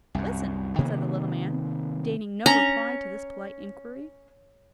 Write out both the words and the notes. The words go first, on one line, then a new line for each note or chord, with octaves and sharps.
"Listen!" said the little man, deigning no reply to this polite inquiry.
C2 F#2
C3 D#3 A#3 B3
C#4 A#5